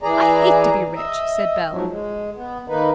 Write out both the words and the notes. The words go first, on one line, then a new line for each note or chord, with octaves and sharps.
"I hate to be rich," said Bell.
E3 G#4 D5 A#5
D#5 E5
G#2 F3 F#3
G#3
B3
D#3 A#3 D#4 B4